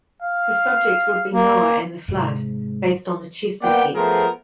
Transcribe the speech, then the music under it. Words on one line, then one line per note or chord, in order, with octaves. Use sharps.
The subject would be Noah and the flood, based on the Chester text.
F5
A#3
G#2 C3
A#3 B3 D5 F#5 G5
F3 A3 B3 G#4 A#4 C5